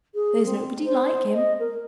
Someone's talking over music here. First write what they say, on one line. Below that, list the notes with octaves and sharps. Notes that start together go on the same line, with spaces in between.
There's nobody like him.
G#4
C4
C5
D#5
A#4